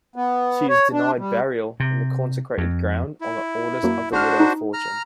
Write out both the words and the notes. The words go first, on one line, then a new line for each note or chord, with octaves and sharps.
She is denied burial in consecrated ground on the orders of the Widow Fortune.
B3
C#5
D4
G3
C3
F2
E4
F#2 F#3 A#3
G1 D4 F#4 C5 F6
D#4
A#5 F6